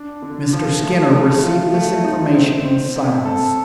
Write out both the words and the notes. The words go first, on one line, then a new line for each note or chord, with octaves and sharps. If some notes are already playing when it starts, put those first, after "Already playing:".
Mr. Skinner received this information in silence.
Already playing: D4
D3
F3
A3
A3
F4
A3
D#4
C4
C4
C3
A4